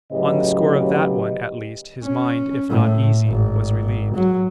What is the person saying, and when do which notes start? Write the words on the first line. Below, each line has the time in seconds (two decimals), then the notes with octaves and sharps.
On the score of that one, at least, his mind, if not easy, was relieved.
0.12 A2 C#3 F#3 G4 B4 D#5
2.03 C#4
2.69 A2
3.26 G#1
4.15 F#3